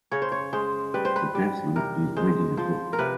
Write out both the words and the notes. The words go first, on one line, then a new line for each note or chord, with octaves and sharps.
The person is reading a book.
C#3 C#5
C5
C#5
G#3 C5
G3 B4
C5
B4
G3
C3 A#4
G#3 C5
F3 C5
A#4
C3 B4